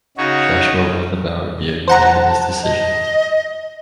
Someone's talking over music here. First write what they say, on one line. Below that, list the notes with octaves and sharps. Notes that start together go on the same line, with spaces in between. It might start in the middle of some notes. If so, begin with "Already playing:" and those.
Joshua won the bout via unanimous decision.
C#3 D#4 F#4 C#5
C5 F#5 A5 A#5
D#5